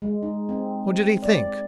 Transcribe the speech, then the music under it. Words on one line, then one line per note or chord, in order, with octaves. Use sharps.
What did he think?
G#3
D#4
C4
D5